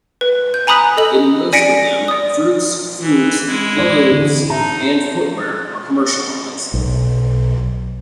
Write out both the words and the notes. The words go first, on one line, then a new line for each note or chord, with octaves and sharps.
In most of them, fruits, foods, clothes and footwear are commercialized.
B4
G6
G#5 A#5 B5 D#6 F#6 B6
A4 D#5 F#7
D5 G#5 A#6 B6 C#7 D7
D5 D#6
E3
G#3 E4
D5
D3 E3
D#4 E5 A5 A#5
B1